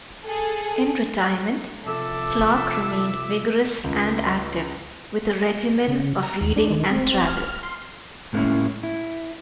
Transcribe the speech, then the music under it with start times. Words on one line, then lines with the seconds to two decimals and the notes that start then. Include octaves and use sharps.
In retirement Clarke remained vigorous and active with a regimen of reading and travel.
0.23 G#4 A4
1.86 C3 F3 A4 E5 D6 E6
3.84 C#2
5.88 C#3
6.23 A#5
6.41 D#2
6.56 D4
6.70 D#3
6.90 C4
7.26 F6
7.63 C6
8.33 A2 G#3 A#3 B3 C#4 E4
8.83 E4